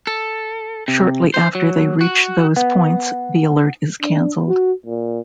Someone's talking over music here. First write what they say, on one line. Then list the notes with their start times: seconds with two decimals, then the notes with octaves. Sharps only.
Shortly after they reach those points, the alert is canceled.
0.07 A4
0.88 C3
1.34 C5
1.55 F#3
2.01 F#4
2.56 B3 F#5
4.02 D4
4.48 F#4
4.86 A#2